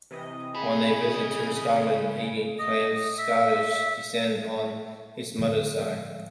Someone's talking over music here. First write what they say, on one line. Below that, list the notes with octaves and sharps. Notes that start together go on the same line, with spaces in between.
On a visit to Scotland, he claimed Scottish descent on his mother's side.
C3 E3 D#5
C#3 G#4 B5
D#5
E5
A2 D3 F3 G#3